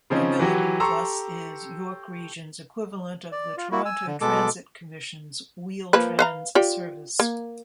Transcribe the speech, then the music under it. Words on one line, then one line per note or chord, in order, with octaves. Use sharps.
Mobility Plus is York Region's equivalent of the Toronto Transit Commission's Wheel-Trans service.
C#3 F3 C4 C#4 D#4
E3 F#3 F#4 G4
G4 A4 A#5 C6 C#6 E6
D5
F4
A#3 E4 F#4
G#5 E6
D3
B2 G#3 A4 D6
F3 A#3 B4
B4 F5 A#5
F4 G4 D5
A#3